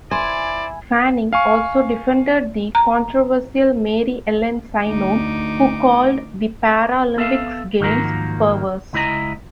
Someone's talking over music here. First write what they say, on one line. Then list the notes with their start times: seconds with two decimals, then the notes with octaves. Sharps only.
Fanning also defended the controversial Mary Ellen Synon, who called the Paralympics games 'perverse'.
0.11 E4 C5 D5 G#5
1.33 F5 G#5 C#6
2.75 A#5
4.85 D2 D#4 D6
7.17 B3 A4 E5 F5
7.80 G#2 D#3 F3 F#3 A#3 A#4
8.93 C#2 G#3 E4 B4 D#5 A#5